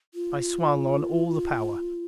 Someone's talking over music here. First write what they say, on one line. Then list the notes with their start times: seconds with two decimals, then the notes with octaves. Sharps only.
I swung on all the power.
0.14 F4